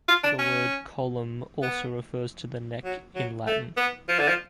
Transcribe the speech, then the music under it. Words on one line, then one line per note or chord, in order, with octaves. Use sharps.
The word "collum" also refers to the neck in Latin.
F4
D4
C#4
B3
F#3
F#3
A3
B3
F3
D3
F3